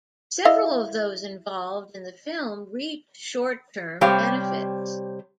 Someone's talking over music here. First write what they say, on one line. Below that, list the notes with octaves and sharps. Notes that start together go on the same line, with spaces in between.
Several of those involved in the film reaped short-term benefits.
E4 D#5 F5
C3 G3 G4 C5 C#5 F5